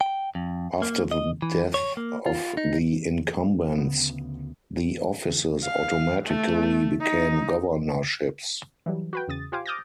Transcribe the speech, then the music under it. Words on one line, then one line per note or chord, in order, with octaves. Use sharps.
After the death of the incumbents, the offices automatically became governorships.
G5
F2
A#3
D#5
E3
C#5
A#3
F4
D#4
D2 C#3 B3
F5
A3
D#4
E3 F#3 G3
F#4 B4 G5
E2 C#3 D#6 A6
F4 G4 C5 F5 G#5 D6
D6 D#6 F6 G6 A6 A#6